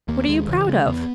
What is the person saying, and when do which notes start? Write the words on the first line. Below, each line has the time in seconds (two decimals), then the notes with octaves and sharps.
What are you proud of?
0.08 D#2 A#3
0.28 D#2 G#3
0.48 C#3 E3
0.68 C#3 G#3
0.87 E2 B3